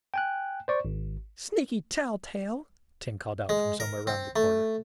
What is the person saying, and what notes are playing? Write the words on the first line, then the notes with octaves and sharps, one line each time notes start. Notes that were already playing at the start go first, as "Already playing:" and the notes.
"Sneaky tell-tale!" Tink called out from somewhere round the corner.
G5 G#5 F#6
C5 D5 C#6
G#1
G#3
A#4
C4
A3